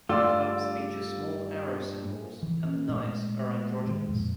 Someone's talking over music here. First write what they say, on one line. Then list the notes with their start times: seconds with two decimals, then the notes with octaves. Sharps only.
The clubs feature small arrow symbols and the knights are androgynous.
0.09 G2 A3 F4 D5 F5 E6
2.43 E3
2.65 C#4
2.89 A#2 G#3 A3
3.86 A2 D#3 G#3
4.09 F2 A#2